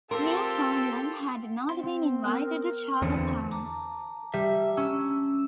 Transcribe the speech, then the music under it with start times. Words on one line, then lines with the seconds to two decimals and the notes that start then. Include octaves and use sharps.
Newfoundland had not been invited to Charlottetown.
0.11 C4 F4 G4 A4 A#4 C6 D6
1.69 C4 C6
2.24 B3 A#4
3.02 E2 D3 C4
3.51 A5 A#5 D6
4.34 G3 E5
4.77 C#4 E6